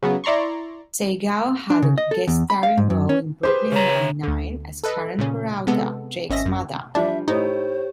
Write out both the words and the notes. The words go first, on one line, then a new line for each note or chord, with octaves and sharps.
Sagal had a guest-starring role in "Brooklyn Nine-Nine" as Karen Peralta, Jake's mother.
C#3 F#3 B3
E4 D5 A#5 C6 C#6
D4
C#3
D#5
A4
E2
B5
F5
G#2
F#2
C#4
G4 G#4 B4 C5
C#3 C#5 A#5
D2 D3
A4 B4 D#5
A#2 C#3 C#4
C3 G#3 B3 A4
G#1 C#4 D#5 E5 A#6
F#2
F3 G3 D4 E5
A2 D#4 G4 C5 C#5